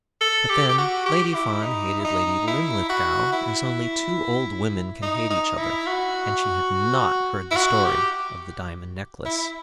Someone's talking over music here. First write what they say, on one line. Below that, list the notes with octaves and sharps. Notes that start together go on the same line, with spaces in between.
But then Lady Fawn hated Lady Linlithgow as only two old women can hate each other;--and she had not heard the story of the diamond necklace.
A4
G4
G4
F#4
G4
E4
D#4
E4
D#4
E4
F#4
E4
D#4
D#4
E4
F#4
E4
F#4
G4
E4